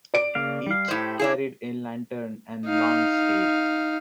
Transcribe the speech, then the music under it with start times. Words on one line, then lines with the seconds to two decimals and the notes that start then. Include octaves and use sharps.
Each carried a lantern and long stave.
0.14 D5 D7
0.35 C#3 A#3 F5
0.66 G3 F5
0.88 A2 E4 G4 C5
1.19 D4 E4 G#4
2.66 D#4 F5